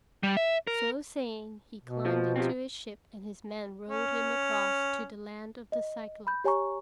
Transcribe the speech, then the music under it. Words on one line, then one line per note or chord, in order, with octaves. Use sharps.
So saying, he climbed into his ship, and his men rowed him across to the Land of the Cyclopes.
G3
E5
A#4
B2
F3
C3 F3 C4
C#4
D#5
B5 G6
G4 C#5 G#5 A#5 C#6